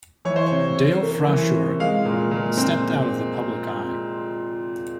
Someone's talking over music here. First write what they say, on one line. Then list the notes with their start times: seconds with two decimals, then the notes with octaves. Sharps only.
Dale Frashuer stepped out of the public eye.
0.25 E3 C#5
0.36 C5
0.47 C3 C#5
0.76 C#4
1.03 A#3
1.28 E3
1.54 C3
1.80 G#3 F5
2.05 A#2
2.31 A#2
2.57 C4